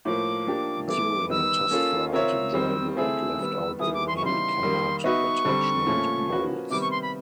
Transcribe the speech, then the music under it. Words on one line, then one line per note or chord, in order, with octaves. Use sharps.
During a test flight Drybread left out the main canard attachment bolts.
A2 F3 A#3 D6
F3 A#3 D4 G4
E3 G3 B3 E4 A4 D6
D#3 G3 B3 D#4 E6
A#3 C#4 F4 A4
C4 F4 A#4 C#5 E5 E6
D#3 G3 C4
A3 C4 E4 G#4 E6
D#3 G3 B3
D#3 G3 B3 E4 G#4 D#6
D6
C6
C#6
C#3 E3 G3 B3 D#4 C6
D#3 G3 A#3
B3 D#4 F#4 B4 E5 C#6
D3 G3 C4
A#2 F3 A3 C#4
F3 A#3 C#4 F#4 B4
C3 D#3 G3 B3 D6
C#6
C6
B5